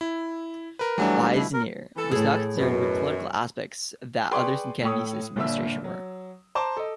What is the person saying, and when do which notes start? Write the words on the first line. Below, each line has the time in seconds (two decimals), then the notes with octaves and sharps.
Weisner was not concerned with the political aspects that others in Kennedy's administration were.
0.01 E4
0.79 A#4 B4
0.98 E3 F#3 G3 A3 D4
1.36 B2 E4
1.53 A#4
1.97 E3 A4
2.11 A2 G#4
2.58 F#2 B2
4.31 G#4 B4 D5 G5 C6 C#6
4.82 A2 A4 C#5 G5 C#6 D#6
5.36 G1 A#2 D3 E5 E6
5.84 F#3
6.55 C5 A5 A#5 D6
6.77 A4 D#5